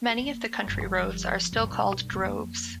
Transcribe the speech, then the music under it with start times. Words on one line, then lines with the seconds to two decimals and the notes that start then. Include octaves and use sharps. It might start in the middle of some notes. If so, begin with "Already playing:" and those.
Many of the country roads are still called droves.
0.19 A#3
0.67 G1 F3
1.53 B1 G2
2.13 F2 A#3